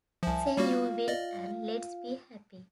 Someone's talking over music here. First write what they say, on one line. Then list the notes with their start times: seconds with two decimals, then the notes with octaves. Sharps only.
Say you will, and let's be happy.
0.23 C2 F3 E5 G#5 A5
0.57 G3 A#3 F4 F#4 F5
1.08 D5 D#5